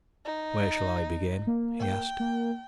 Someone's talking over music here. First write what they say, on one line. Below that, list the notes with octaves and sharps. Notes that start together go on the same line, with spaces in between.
"Where shall I begin?" he asked.
D#4
A#3
G5
A#3